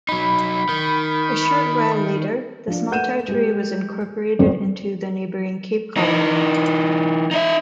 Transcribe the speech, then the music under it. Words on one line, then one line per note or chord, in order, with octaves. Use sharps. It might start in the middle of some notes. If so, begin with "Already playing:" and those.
A short while later, the small territory was incorporated into the neighbouring Cape Colony.
F#3 D#4 B5
D#3
F3 D4
A3 B4 F#5 G6 D#7 E7
G#3 G4
G#1 F2 C4 C5
E3 D#4
D#4 E5